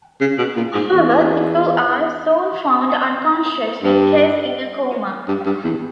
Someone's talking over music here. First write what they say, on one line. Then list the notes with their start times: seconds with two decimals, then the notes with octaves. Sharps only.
However, the two are soon found unconscious, with Kes in a coma.
0.21 C#3
0.38 B2
0.56 A#2
0.75 G#2
0.93 E2
3.83 G2
5.28 G2
5.46 G2
5.64 E2